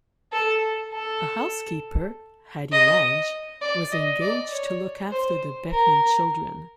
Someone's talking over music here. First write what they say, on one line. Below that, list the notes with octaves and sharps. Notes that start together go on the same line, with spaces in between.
A housekeeper, Hattie Lange, was engaged to look after the Beckman children.
A4
A4
D#5
D5
D#5
D5
C#5
C5
A#4